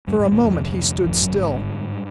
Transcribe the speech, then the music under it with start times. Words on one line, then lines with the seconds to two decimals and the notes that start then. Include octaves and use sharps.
For a moment he stood still.
0.07 D2 G2 G3
0.20 G#2 G#3
0.31 D2 A2 A3
0.44 F2 F3
0.57 C3
0.81 D2
1.06 G#1 F2 F3
1.22 F#2 F#3
1.31 D3
1.38 G#2 G#3
1.54 G2
1.79 G2